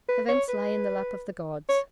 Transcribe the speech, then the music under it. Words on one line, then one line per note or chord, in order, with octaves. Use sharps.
Events lay in the lap of the gods.
B4
C#5
B4
C#5